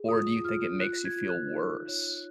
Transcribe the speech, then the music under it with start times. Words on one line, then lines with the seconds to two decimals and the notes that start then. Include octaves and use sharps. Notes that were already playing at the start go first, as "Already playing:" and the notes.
or do you think it makes you feel worse?
Already playing: G#4
0.09 F4 D#6
0.44 F4 F6
0.81 F4 F#6
1.05 G#6
1.16 F4
1.29 F#6
1.53 D#4
1.88 C#5